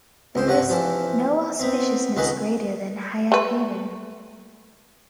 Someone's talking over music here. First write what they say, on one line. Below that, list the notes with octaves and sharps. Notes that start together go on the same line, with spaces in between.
There is no auspiciousness greater than Hayagrivan.
C#2 C5
G2 C3 F#5 C#6
E3 F3
B3 C4
C#2 D#3 G#3 B3 F#5
A3 B4